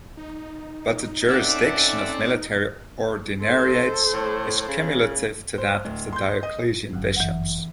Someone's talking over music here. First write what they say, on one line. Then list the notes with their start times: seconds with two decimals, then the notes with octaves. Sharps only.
But the jurisdiction of military ordinariates is cumulative to that of the diocesan bishops.
0.17 D#4
1.29 C4 C#4 A4 D5 E5 F#5 D6
3.40 G#2 A4 C5
4.13 A2
4.68 C#3
5.58 C5
5.85 D1
6.13 C6 G6
6.43 D#5
6.93 G1 F#2
7.16 E3 F#5